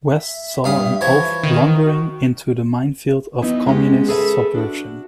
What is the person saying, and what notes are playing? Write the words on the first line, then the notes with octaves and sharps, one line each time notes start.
West saw an oaf blundering into the minefield of Communist subversion.
E5
G2 F5 D#6
E3 F3 C#5
D#3
F#4
E3 F#3 B3 D#4 E4
G#3 B3 C#4 G4
G#4 A4 B4 D#5 E5
D4 F#4